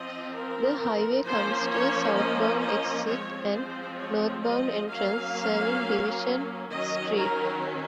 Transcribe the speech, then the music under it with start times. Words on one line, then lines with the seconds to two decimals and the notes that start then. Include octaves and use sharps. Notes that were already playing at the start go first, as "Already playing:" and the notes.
The highway comes to a southbound exit and northbound entrance serving Division Street.
Already playing: F3 C4 D#5
0.35 A#4
1.25 F3 A#3 C#4 C5
1.71 C#5
2.16 D#5
2.62 D#5
3.08 F3 G#3 C4 C#5
3.53 C5
3.98 C#5
4.44 D#5
4.89 F#3 A#3 C#4 F5
6.71 D#3 F#3 C#4 D#5
7.17 A#4